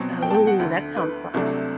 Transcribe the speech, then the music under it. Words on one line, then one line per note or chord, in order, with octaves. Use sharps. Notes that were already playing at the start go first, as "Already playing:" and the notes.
Oh, that sounds fun.
Already playing: B2 F#3 C4
G5
A5
G5
F#5
D2 D3 A3
B4
C2 C3 F#3 A3 D4